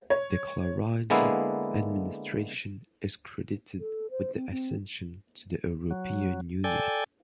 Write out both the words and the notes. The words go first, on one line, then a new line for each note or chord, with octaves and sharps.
The Clerides administration is credited with the ascension to the European Union.
C#5
D3 G#3 A#3 B3 E4
A4
C5
C4
C4
F#3
A4 D5 G5 G#5